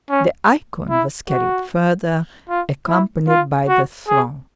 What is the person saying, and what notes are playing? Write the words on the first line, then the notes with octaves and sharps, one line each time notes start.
The icon was carried further, accompanied by the throng.
C#4
E4
F#4
F4
E4
F4
F#4
G#4